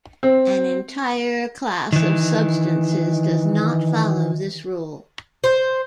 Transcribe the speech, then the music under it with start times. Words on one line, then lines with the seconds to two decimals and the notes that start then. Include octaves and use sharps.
An entire class of substances does not follow this rule.
0.23 C4
1.93 D#3 E3
5.44 C5